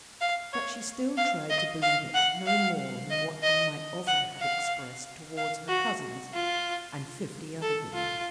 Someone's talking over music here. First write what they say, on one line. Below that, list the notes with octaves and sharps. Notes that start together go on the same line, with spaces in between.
But she still tried to believe it no more than what he might often have expressed towards her cousins and fifty other women.
F5
C#5
F5
D#5
F5
F#5
F5
D#5
D#5
F#5
F5
F5
F#4
F4
A4
F4